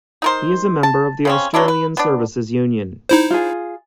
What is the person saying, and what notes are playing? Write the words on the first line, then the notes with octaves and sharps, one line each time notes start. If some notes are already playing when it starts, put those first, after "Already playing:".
He is a member of the Australian Services Union.
D#4 A#4 C5
A5
C#3 C4 C#4
F#3 A3 D4 E4
B4
B3 D4
D#4 E4 C5
F4 G#4